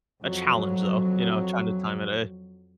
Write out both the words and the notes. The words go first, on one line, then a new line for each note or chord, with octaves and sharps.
a challenge, though, you know, trying to time it, eh.
F2 F#3